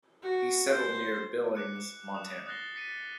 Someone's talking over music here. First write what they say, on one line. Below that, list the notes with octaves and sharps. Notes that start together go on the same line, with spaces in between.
He settled near Billings, Montana.
F#4
C5
D6 F#6 C#7
D#6 E7
D#6 F#6 A6 A#6 C7 G7
A6 B6 C#7 D#7